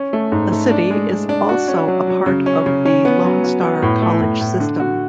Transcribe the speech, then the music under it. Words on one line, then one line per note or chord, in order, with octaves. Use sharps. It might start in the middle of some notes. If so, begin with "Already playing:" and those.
The city is also a part of the Lone Star College System.
Already playing: C#4
A3
G#2
A3
D4
G#3
G#3
D4
F#4
C#4
F#3
F#3
C#3
C#4
C#3
C#4
B3
F#3
F#4
B3
A2
A3
A2
A2
D3
F#4